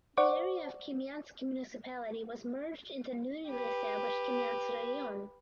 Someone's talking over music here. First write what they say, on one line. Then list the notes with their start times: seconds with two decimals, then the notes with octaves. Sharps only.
The area of Kamianske Municipality was merged into the newly established Kamianske Raion.
0.17 C5 D5 F#5 C#6 D6
3.49 G4 B4